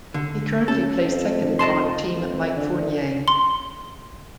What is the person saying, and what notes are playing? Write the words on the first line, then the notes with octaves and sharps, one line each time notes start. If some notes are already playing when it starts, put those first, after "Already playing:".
He currently plays second on Team Mike Fournier.
D3
C#4 A4
F2
D#5 A5 C6
F2
D3
C6